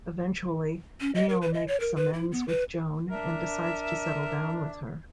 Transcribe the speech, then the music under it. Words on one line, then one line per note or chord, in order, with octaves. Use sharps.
Eventually, Neal makes amends with Joan, and decides to settle down with her.
C#4
D#5
A#4
B4
D#5
C#5
A#4
B4
E4
B3
B4
D4 A#4 E5